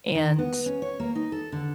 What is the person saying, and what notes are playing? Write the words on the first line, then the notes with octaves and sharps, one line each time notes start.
and s
D#3
B3
C#4
C#5
A#3
D#4
A4
D3